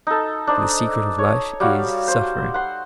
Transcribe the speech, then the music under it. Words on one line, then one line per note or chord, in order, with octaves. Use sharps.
For the secret of life is suffering.
D#4 A4
D4 D#4 C5
C#5
G3 F#4 F5
C5
F#5 C6